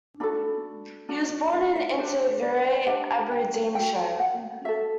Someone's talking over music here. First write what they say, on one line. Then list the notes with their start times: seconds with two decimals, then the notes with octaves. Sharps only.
He was born in Inverurie, Aberdeenshire.
0.20 D4 F#4 A4 B5
1.09 D4 F#4
1.53 E5
1.76 E5
1.98 D4 G4 B4 C5
2.42 D5
2.86 D4 G4 B4 F#5
3.31 G5
3.75 F#4 A4 G5
4.20 F#5
4.64 F#4 A4 E5